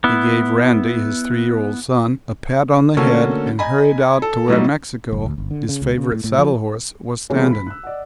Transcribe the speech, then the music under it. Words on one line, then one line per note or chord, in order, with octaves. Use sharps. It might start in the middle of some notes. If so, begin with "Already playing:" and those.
He gave Randy, his three-year-old son, a pat on the head, and hurried out to where Mexico, his favorite saddle horse, was standing.
B3 E4
D3 A3 A#3 C#4 F#4 A4
D#5 G#5 A#5 B5
A4
A2 F#3 G3 D#4
F#1
D2
G1
D3
C#3
C#2
C#3
A2
A2
F3
C#3 E3 G#3 A#3 B3 C#4
B5 B6
E6 F#6
D5 D#5 F#5